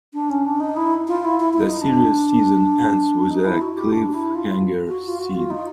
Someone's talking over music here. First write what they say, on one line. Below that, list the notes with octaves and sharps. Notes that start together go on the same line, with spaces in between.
The series season ends with a cliffhanger scene.
D4
C#4
D4
D#4
E4
F4
E4
E4
E4
D#4
D4
D#4
E4
F#4
G4
D4
E4
F4
F#4
F4
F#4
F4
D#4